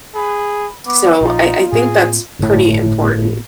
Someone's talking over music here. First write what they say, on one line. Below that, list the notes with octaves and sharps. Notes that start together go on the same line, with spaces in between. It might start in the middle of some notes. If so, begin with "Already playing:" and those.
so I I think that's pretty important.
G#4 B5
B3 D6
A#1 F3 D#4 F4
A2 A#3 C4 G#4
G1 A2